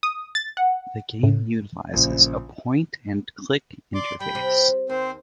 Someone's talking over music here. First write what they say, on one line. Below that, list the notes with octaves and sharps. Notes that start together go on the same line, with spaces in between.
The game utilizes a point and click interface.
D#6
A6
F#5
A2
A#1 C#3
D5 C6 D6
G3 G5 B5
C3
D#2 C4 C5